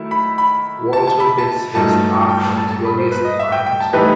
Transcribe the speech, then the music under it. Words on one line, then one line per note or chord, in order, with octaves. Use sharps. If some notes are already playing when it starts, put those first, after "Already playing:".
Walter gets his half from his wealthiest client.
Already playing: D#3 F#3 A3 E4
B5
B5
A5
A5
B5
A5
G2 F#3 A3 D#4 A5
G5
A5
A5
A5
B5
C5
B4
D#5
E5
G5
G5
A5
A2 E3 G3 D#4 B4